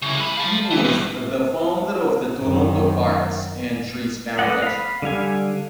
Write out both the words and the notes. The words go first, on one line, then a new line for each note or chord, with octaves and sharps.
He was the founder of the Toronto Parks and Trees Foundation.
C#3 E4
G#3 B5
F5 A5
E3
E2 G2
F#2 D#3
A4 B4 D5 D#5 F#5
F5 B5
D3 G3 F5 G#5